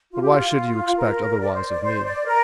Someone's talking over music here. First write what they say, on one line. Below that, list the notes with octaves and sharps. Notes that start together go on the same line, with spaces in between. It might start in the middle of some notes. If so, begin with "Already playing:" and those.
But why should you expect otherwise of me?
F4
G4
F4
A#4
D5
C5
D5
C5
D5
A#4